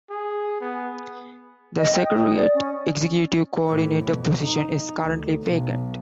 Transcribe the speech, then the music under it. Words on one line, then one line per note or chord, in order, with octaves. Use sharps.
The Secretariat's Executive Coordinator position is currently vacant.
G#4
B3
D#5
G5
D#6
D5
C#4
A2 E3
F2 B2
D#4
D2
B1